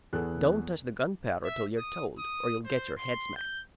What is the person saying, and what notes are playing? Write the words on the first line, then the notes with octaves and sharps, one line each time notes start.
"Don't touch the gunpowder till you're told, or you'll get your head smacked."
E2 B3 G#4 A4 F#6
E5
D#6
D#6
C5
C6
G6